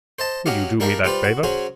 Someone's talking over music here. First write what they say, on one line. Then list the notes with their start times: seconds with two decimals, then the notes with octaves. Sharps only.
Will you do me that favour?'
0.19 C5 D#5 A5
0.46 F#3 C#4 F#4 G4 D#5 F5
0.80 G3 D4 A#4 D#5 F5 G5
1.04 G3 F4 G4 B4 C5
1.24 F#4
1.43 F#3 C#4 F#4 G#4 C5